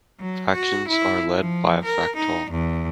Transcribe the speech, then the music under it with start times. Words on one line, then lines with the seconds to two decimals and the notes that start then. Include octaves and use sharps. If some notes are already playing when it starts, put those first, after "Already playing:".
Factions are led by a Factol.
0.20 F#3
0.53 F#4
0.88 E4
1.39 F3
1.85 A#4
2.17 D#4
2.51 E2